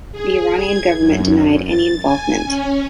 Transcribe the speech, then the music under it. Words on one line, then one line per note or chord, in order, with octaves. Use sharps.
The Iranian government denied any involvement.
G#4
G#6
F#2
A6
G#5
C#4